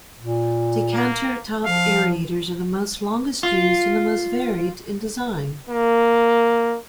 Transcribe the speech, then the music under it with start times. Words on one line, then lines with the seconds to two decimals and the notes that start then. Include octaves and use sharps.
Decanter-top aerators are the longest used and the most varied in design.
0.19 A#2
0.93 A#3
1.65 F3 F5
3.43 F4
5.70 A#3